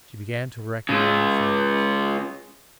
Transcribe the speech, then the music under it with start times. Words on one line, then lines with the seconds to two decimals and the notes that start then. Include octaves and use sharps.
She began to reckon on her fingers.
0.89 C#3 G#3